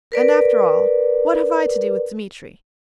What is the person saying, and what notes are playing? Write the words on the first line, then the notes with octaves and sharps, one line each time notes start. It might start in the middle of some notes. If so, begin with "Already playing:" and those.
And after all, what have I to do with Dmitri?
A#4 B4 D5